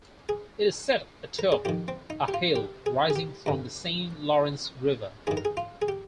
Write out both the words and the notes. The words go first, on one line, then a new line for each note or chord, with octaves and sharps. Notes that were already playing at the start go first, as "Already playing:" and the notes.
It is set atop a hill rising from the Saint Lawrence River.
G#4
A#4
G#4
F2 D#3 G4
C4
D#4
G4
F4
G4
G#4
G#4
G4
G2 D3
G2 D#3 G#4
A#4
G#4
F4
G#4
G4